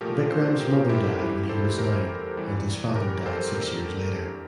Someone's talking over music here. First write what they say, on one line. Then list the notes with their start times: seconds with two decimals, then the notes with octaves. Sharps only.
Vikram’s mother died when he was nine and his father died six years later.
0.01 A#2 F3 A3 G4 A#4
0.30 A4 C5
0.60 G4 A#4
0.89 E4 G4
1.19 E2 E3 G3 E4 G4
1.49 A4 C5
1.78 G4 A#4
2.37 E2 E3 G3
2.96 G4 A#4
3.26 A4 C5
3.55 E2 D3 A3 G4 A#4